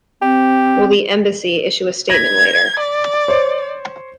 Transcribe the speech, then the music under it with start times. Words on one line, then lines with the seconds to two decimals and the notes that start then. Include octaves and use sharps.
Will the embassy issue a statement later?
0.22 C4 G4
2.10 G#6 A#6 B6
2.79 D5
3.28 C5 C#5